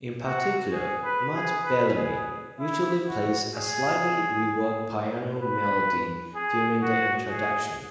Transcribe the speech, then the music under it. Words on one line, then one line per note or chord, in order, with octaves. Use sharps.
In particular, Matt Bellamy usually plays a slightly re-worked piano melody during the introduction.
F#4
G#4
B4
G#4
B4
G#4
E4
F#4
G#4
B4
G#4
F#4
G#4